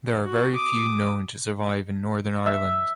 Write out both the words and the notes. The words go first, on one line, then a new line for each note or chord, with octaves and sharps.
There are very few known to survive in Northern Ireland.
F#4
D6 D#6
E5